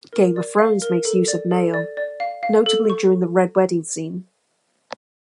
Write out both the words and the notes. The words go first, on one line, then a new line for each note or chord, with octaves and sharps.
Game of Thrones makes use of mail, notably during the "Red Wedding" scene.
A#4
D5
F5
A#4
A4
D5
A4
D5
D5
F5
F5
A4
C#6